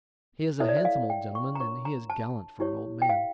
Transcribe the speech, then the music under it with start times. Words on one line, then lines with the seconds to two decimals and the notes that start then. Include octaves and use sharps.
"He is a handsome old gentleman, and he is gallant for an old man."
0.60 E4 A4 C#5 E5
0.69 D5
0.77 E5
0.85 F5
1.10 G5
1.35 C#6
1.55 A#5
1.60 D4 F4 A#4 C#5 C#6
1.85 A#5
2.10 A5
2.60 E4 G4 C#5
3.02 G5
3.09 F5